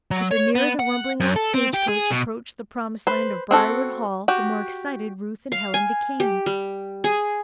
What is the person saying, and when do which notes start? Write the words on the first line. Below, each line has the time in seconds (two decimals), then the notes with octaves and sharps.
But the nearer the rumbling old stagecoach approached the promised land of Briarwood Hall the more excited Ruth and Helen became.
0.11 F#3
0.31 C#5
0.55 B3
0.79 F#5
1.20 F#2
1.36 A4
1.54 C4
1.73 G4
1.88 G#4
2.11 B2
3.07 B4 C5
3.51 C4 F#4 A4
4.28 F#4 G4
5.52 F5
5.74 G#5
6.20 G4
6.46 G3
7.04 G#4